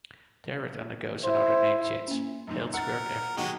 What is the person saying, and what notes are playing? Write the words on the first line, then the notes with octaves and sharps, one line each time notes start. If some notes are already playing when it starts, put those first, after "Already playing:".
There it undergoes another name change: Healdsburg Avenue.
E4 C5
A#3 C#4
F#2 A#2 D#3
A#4 F#5 E6 A6
B2 D#3 F#3 G#3 F#4 G4